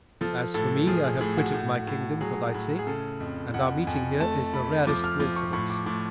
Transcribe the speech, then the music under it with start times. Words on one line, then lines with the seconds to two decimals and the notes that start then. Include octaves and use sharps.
As for me, I have quitted my kingdom for thy sake, and our meeting here is the rarest coincidence.
0.21 F3 A4
0.54 A2 A4
0.87 F3 G#4
1.04 G#4
1.21 A2 G#4
1.37 F#4
1.53 A2
1.87 A2
2.21 F#3 G#4
2.54 A2
2.79 G#4
2.87 C#3 A4
3.20 F2
3.54 F2 F#5
3.87 F2 G#5
4.20 A3 A5
4.53 A3 B5
4.87 F3 D6
5.04 F6
5.20 F3 D6
5.36 C#6
5.53 A2 C#6
5.70 D6
5.86 A2 D6